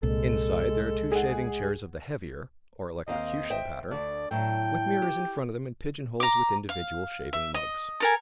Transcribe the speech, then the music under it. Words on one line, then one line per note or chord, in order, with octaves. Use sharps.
Inside, there are two shaving chairs of the heavier, or electrocution pattern, with mirrors in front of them and pigeon holes with individual shaving mugs.
C2 A#2 G#3 A4
G#4 F#5
D#2 C4 D#5 F5
C5 E5 G5
D2 D5
A2 F#3 G5
G4
A#5 D6
F5
E5
D#5
A4 A#4 G#5